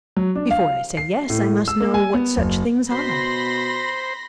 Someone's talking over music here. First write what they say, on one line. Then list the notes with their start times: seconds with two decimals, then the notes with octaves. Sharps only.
"Before I say yes I must know what such things are."
0.17 F#3
0.35 D4
0.51 F5
0.97 C7
1.30 A2
1.68 E6
1.80 A#3
1.94 G#5
2.14 B3
2.37 F#1
2.91 B2 C5 B5 C6 A#6